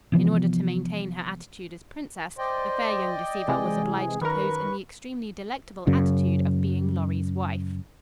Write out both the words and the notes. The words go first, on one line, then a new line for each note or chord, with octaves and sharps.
In order to maintain her attitude as princess, the fair young deceiver was obliged to pose in the extremely delectable attitude of being Lorry's wife.
C3 E3 F3 B3
C5 D5 D#5 G5
C3 E3 G#3 G#4
F#2 D#3 A#4 B4 C#6
F#2 C#3